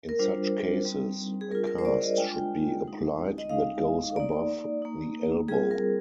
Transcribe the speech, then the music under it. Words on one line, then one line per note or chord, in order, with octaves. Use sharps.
In such cases, a cast should be applied that goes above the elbow.
A#4
G3 D4 F4 C5
G3 C4 D#4
G#4
G3 D4 F4 A#4
A#4
C5
D5
D#5
G#3 D4 F4 G5
G#3 D#4
D#5
G#3 D#4 F5
A#3 D#4 D5
A#3 D#4
G3 C4 F4 G#4
A#4